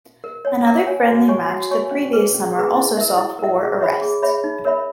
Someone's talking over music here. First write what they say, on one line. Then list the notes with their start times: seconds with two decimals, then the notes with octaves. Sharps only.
Another friendly match the previous summer also saw four arrests.
0.24 A#4
0.45 C#5 G#5
0.66 A#4
0.87 C#5 G#5
1.08 F#4
1.28 C#5 G#5 C#6
1.50 F#4
1.71 C#5 G#5 C#6
1.91 C#4
2.13 G#4 B4
2.34 C#4
2.55 G#4 B4
2.75 E4
2.97 A#4 E5
3.18 E4
3.39 A#4 E5
3.59 G#4
3.80 C#5 E5 B5
4.02 G#4
4.22 C#5 E5 B5
4.44 D#4
4.65 A#4 C#5 E5 B5